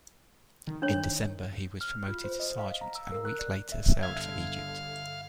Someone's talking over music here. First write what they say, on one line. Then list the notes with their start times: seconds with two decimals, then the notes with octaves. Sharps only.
In December, he was promoted to sergeant and a week later sailed for Egypt.
0.67 D#3
0.82 D4 C#5
1.81 F6
2.08 F4
2.24 C5
2.40 D#5
2.59 F5
2.81 A#5
2.95 E6
3.12 A#4
3.25 F#6
3.39 D5
3.72 E5
4.03 G1 D3 E5 F5 G#6